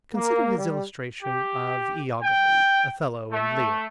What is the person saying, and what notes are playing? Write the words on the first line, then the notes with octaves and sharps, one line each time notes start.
Consider his illustration of Iago, Othello, and Lear.
A#3
G3
G4
G5
A3